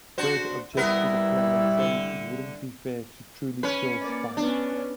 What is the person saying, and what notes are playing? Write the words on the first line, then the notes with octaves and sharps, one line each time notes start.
Fred objects to the plan, saying it wouldn't be fair to truly kill Spike.
D4 F#4 C5
G3 B3 E4 A#4
D3
C#4 B4
A#3 D5
B3 C#4 D4